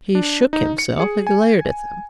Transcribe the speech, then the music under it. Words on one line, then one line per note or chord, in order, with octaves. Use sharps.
He shook himself and glared at them.
D4
D#4
C#7
G#4
G#5